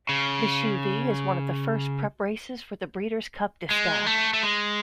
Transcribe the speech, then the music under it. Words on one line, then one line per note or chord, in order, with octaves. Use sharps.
The Shuvee is one of the first prep races for the Breeders' Cup Distaff.
C#3
G#3
A3
A3
G#3